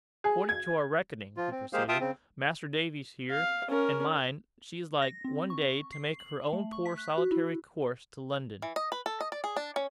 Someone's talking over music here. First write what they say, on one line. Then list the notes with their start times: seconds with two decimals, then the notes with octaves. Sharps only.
'According to our reckoning,' he proceeded, 'Mas'r Davy's here, and mine, she is like, one day, to make her own poor solitary course to London.
0.24 G#4
0.49 G#6
1.37 F3 F4
1.52 C4
1.73 G#3 A#3 G4 G#4 C5 F5
1.89 F4 E5 F5 G5 A5 D#6
2.00 C#3 C4
3.31 F5
3.69 C#4 A#4
5.02 A#6
5.24 C4
5.50 C#6
5.92 C7
6.19 F#7
6.53 A3
6.72 C#6
6.86 B6
6.98 F#6
7.18 F#4
7.32 E4
8.62 E3
8.76 D#5
8.92 B4
9.06 A4
9.21 D#5
9.32 D5
9.44 G#4
9.56 D4
9.76 C#4